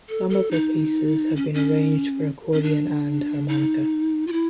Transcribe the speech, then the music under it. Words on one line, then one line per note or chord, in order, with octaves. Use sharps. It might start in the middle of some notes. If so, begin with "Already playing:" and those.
Some of her pieces have been arranged for accordion and harmonica.
A4
A4
D#4
C#4
C#4
C#4
D4
D#4
F4
E4